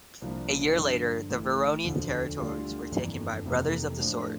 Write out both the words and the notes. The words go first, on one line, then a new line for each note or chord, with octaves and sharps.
A year later the Vironian territories were taken by Brothers of the Sword.
C2 A#2 F3 A#3 D4
G2 D3 F3
A1 A2 E3
E1 D2 D3 F3 A3
D2 D3 G3 D4 F4
G1 F2 E3 A#3 D4
F1 F2 C3 E3 A#3
A2 F3 A3 D4